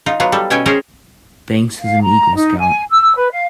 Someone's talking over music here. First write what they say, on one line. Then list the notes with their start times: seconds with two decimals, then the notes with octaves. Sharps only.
Banks is an Eagle Scout.
0.06 D#4 F4
0.20 F#3 B3 F4
0.32 G3 A4
0.50 B2 C#4 E5 G5 G#5
0.66 C#4 G#4 A#4 C5 G5
1.79 F5
2.02 A#5
2.35 D#4
2.58 G#5
2.90 E6
3.15 B4
3.31 F5